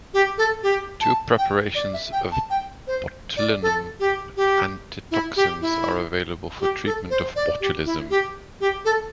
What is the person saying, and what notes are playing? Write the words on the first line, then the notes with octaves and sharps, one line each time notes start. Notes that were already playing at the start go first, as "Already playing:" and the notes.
Two preparations of botulinum antitoxins are available for treatment of botulism.
G4
A4
G4
A5
G5
D5
E5
G5
A5
G5
C5
D5
A4
G4
G4
E4
G4
E4
G4
A4
C5
D5
G4
E4
G4
G4
A4